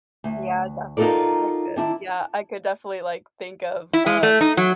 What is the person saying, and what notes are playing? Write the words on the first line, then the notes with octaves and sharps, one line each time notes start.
Yeah, definitely, I could. Yeah, I could definitely, like, think of, uh,
D2
D#4 F4 F#4 A4 A#4 D5
D#3 D4 E4
E4
G#3
A3
D#4
F#3